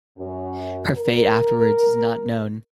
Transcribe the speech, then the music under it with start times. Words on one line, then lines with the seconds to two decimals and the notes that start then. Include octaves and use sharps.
Her fate afterwards is not known.
0.19 F#2
0.97 A#4